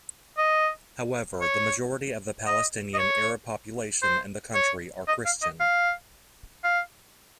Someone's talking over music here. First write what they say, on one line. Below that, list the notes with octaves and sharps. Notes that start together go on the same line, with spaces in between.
However, the majority of the Palestinian Arab population in the country are Christian.
D#5
C#5
D#5
D#5
C#5
C5
C#5
D#5
F5
D#5
F5
F5